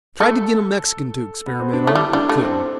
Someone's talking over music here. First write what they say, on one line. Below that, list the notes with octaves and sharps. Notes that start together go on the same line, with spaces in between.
I tried to get a Mexican to experiment on, but couldn't.
A3 A4
B3
C4
D4
A3 E4
G3
E4
G3 D4
A3
D4
C4